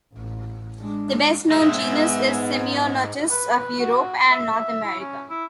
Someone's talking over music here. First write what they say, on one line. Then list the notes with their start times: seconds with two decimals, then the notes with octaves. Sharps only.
The best-known genus is "Semionotus" of Europe and North America.
0.14 A1
0.80 G#3 D4
1.52 G2 G#3 E5
1.78 G#2 G#3 B3
3.30 B4
3.55 B4
3.79 F#4
4.31 E5
4.84 E4
5.00 C#4
5.30 E4